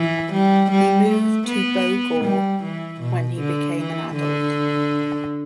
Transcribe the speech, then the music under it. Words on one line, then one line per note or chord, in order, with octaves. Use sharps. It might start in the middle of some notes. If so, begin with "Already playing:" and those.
He moved to Bogor when he became an adult.
Already playing: E3
G3
G3
A3
B3
G3
E3
B2
D3
E3
D3